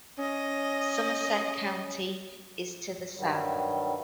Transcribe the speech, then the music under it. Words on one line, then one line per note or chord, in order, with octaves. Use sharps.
Somerset County is to the south.
C#4 D#5
G2 D#3 F#3 G3